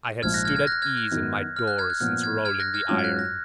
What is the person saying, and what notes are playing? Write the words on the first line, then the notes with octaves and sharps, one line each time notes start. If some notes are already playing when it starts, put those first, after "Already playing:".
I had stood at ease in my door since rolling the iron.
A#1 G#2 F3 F6 G#6
F#6 A#6
F6 G#6
F6 G#6
F#6 A#6
F6 G#6
F#6
F#2 D#3 F#3 B3 F#4
F6
F#6
F6 G#6
F#6
A#2 F3 B3 F6
F6 G#6
F6 G#6
F#6 A#6
F6 G#6
G#2 F#3 C#4 F4 F6
G#6
F#6
F#6 A#6